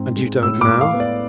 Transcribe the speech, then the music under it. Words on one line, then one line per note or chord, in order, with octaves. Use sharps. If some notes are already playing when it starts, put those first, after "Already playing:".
"And you don't now?"
Already playing: G#2 C4
G#3
A2 E6
D6
A2
F5
B3
D5